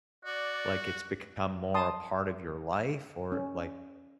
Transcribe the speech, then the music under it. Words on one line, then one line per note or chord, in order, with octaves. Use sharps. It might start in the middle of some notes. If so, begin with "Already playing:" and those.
like, it's become more a part of your life or, like
F#4 D5
A5 C6 D#6
C#4